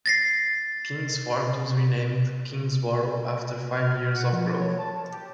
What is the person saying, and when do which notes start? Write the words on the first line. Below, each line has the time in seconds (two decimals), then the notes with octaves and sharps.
Kings Fort was renamed Kingsboro after five years of growth.
0.06 A6 A#6 C7
3.75 F6
4.14 F#5
4.32 F3
4.61 C#5
4.79 A5
5.12 G4